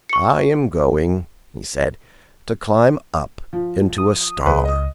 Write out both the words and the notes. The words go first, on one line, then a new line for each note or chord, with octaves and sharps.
"I am going," he said, "to climb up into a star."
C#6 C#7
F3
D#6
C#2 G#4 B4
D#5 D#6